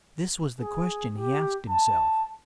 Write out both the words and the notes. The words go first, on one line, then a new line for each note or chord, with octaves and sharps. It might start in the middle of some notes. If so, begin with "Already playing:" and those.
This was the question he asked himself.
G#4
G4
A5